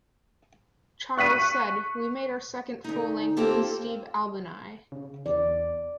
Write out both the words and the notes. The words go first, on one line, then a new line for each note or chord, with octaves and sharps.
Charles said, We made our second full length with Steve Albini.
C#6 F#6 B6 D#7
D2 D#4
A#3 C4 F4 G4 A4 C5
C#3
E2 D5